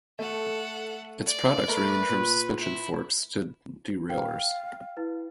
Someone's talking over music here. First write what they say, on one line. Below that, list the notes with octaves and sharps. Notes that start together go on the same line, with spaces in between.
Its products range from suspension forks to derailleurs.
A3 A4 F#5
D5
A3 A#4 B4
A#2
E4
F5 G5
E4 B4